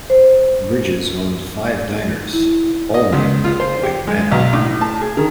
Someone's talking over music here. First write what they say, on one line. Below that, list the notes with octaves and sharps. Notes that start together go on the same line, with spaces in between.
Bridges owned five diners, all named "White Manna".
C5
E4
D#5
C#2
F4
C5
G4
G#3
B1
A2
A5
G#4
D#3